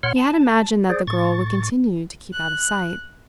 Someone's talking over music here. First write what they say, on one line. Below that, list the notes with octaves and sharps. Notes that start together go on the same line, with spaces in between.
He had imagined that the girl would continue to keep out of sight.
A#2 C#5 F#5 C6 F6
A5
G#4 C5 D5
A2 C#6 A6
F#6